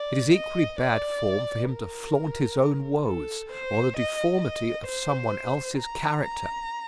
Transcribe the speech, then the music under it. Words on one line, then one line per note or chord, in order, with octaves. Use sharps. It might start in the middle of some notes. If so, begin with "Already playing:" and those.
It is equally bad form for him to flaunt his own woes, or the deformity of some one else's character.
Already playing: D5
D#5
D5
A#4
A4
C5
D#5
D#5
C5
A#5
A#5